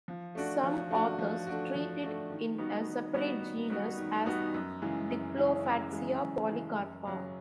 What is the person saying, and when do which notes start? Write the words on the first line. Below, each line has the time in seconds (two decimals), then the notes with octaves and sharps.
Some authors treat it in a separate genus, as "Diplofatsia polycarpa".
0.08 F3
0.35 A3 D4 F#4
0.63 F3
0.91 A3 D4 F#4
1.19 F3
1.47 A3 D4 F#4
1.75 F3
2.03 A3 D4 F#4
2.30 D#3
2.58 G3 B3 D#4 F#4
2.86 D#3
3.14 G3 B3 D#4 F#4
3.42 D#3
3.70 G3 B3 D#4 F#4
3.97 D#3
4.26 G3 B3 D#4 F#4
4.54 F#2
4.82 C#3 E3 G#3
5.10 F#2
5.37 C#3 E3 G#3
5.65 F#2
5.93 C#3 E3 G#3
6.21 F#2
6.48 C#3 E3 G#3
6.77 F#2
7.05 C#3 F#3